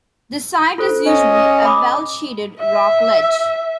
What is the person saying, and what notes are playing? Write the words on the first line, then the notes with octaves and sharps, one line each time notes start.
The site is usually a well-shaded rock ledge.
F4 A4 C5
C#4 D#5
B5 D6 D#6
E5